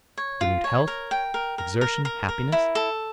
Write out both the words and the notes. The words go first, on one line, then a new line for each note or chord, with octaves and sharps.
Renewed health, exertion, happiness!
C#5
F4
C#5
A#4
G5
A#4
A#4
A#4
A#4
A#4
E4
A4